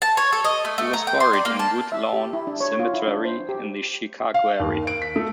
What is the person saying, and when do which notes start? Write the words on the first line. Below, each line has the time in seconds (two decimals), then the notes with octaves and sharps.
He was buried in Woodlawn Cemetery in the Chicago area.
0.02 A5
0.17 C#5
0.32 A4
0.45 D#5
0.65 A3
0.78 A3
0.93 A#5
1.07 G5
1.20 C6
1.33 D5
1.45 A#3
1.59 A5
1.92 E5
2.13 G4
2.33 E4
2.47 D4
2.61 C#5
2.79 F4
2.94 E4
3.07 D4
3.25 C5
3.49 G4
4.34 F5
4.59 D#2
4.87 D7
5.02 B6
5.16 A3